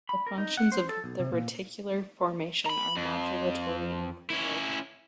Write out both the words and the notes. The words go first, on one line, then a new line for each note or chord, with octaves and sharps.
The functions of the reticular formation are modulatory and premotor.
B5
A#4
D#4
F#5
C5
A4
B1
C3
A#2
A#5 B5
F2
C#4 E4